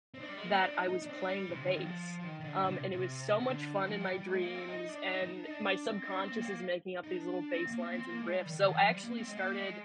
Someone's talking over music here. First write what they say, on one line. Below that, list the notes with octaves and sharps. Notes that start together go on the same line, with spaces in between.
that I was playing the bass. Um, and it was so much fun in my dreams and my subconscious is making up these little baselines and riffs. So, I actually started
C4
D4
G3
G#3
A#3
C4
D4
D#4
D#4
D4
C4
D4
G3
C3
D3
D#3
F3
F3
D#3
D#3
D3
D3
C3
C3
C3
D3
F3
G3
G3
G#3
A#3
C4
D#4
D4
D#4
D#4
D4
D#4
D4
D4
C4
D4
C4
A#3
C4
A#3
D#4
D4
C4
A#3
C4
A#3
C4
A#3
G#3
G3
D#3
D3
D#3
F3
G3
A#3
C4
G#3
A#3
G#3